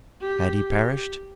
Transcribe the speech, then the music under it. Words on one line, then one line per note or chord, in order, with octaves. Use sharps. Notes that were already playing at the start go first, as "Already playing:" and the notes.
Had he perished?
G4
G4